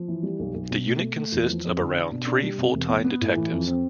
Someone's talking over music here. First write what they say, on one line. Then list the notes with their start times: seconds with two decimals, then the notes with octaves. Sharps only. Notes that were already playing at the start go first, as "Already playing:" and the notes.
The unit consists of around three full time detectives.
Already playing: F3
0.08 E3
0.23 G3
0.39 B1
0.54 B1
0.70 B2
0.86 A3
1.01 A3
1.17 A3
1.32 E2
1.49 F3
1.65 F2
1.80 D3
1.95 D4
2.11 B2
2.26 D4
2.43 G3
2.58 C3
2.74 E1
2.88 B3
3.04 B3
3.21 A2
3.35 E3
3.52 F2
3.67 C4